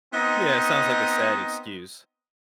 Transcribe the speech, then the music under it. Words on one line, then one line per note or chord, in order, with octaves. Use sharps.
Yeah, it sounds like a sad excuse.
B3 C4 D#4 D#5